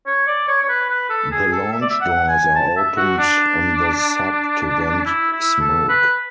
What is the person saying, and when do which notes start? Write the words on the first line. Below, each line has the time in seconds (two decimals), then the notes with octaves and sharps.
The launch doors are opened on the sub to vent smoke.
0.06 C#5
0.27 D5
0.48 C#5
0.62 C#5
0.69 B4
0.90 B4
1.10 A4
1.31 G#4
1.52 A4
1.73 E5
1.82 D5
1.90 E5
2.01 F#5
2.28 G#5
2.56 A5
2.77 E5
2.97 F#4
3.18 D4
5.06 E4
5.32 E4
5.61 A4
5.89 B4